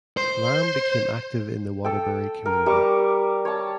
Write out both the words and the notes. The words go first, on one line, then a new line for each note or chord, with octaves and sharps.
Lamb became active in the Waterbury community.
C5
A4 G5
A#4
G3 A#4 C#6 D6
C#5 A5